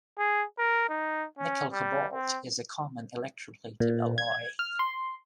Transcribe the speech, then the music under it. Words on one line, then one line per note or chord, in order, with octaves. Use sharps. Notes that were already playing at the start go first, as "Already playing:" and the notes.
Nickel-Cobalt is a common electroplated alloy.
G#4
A#4
D#4
C#4
G3
C4
A#2
G#6
F6
C6